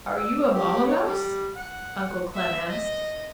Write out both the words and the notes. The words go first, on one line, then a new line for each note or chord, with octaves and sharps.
"Are you a Mamma mouse?" Uncle Clem asked.
E6
G4
C#5
G3
F#5
E5
D#5